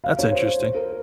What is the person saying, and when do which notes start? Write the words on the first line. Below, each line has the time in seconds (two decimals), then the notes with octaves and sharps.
That's interesting.
0.04 F5
0.19 C#5
0.32 C5
0.60 C5
0.75 A#4